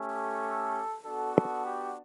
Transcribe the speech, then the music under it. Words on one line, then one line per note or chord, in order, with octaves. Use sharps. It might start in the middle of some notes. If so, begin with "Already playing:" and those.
Ford introduced flexibility into mass production, so that Fordism could continue to evolve.
Already playing: A3 C#4 G4
A4
B3 D4 F#4 A4
A4
G4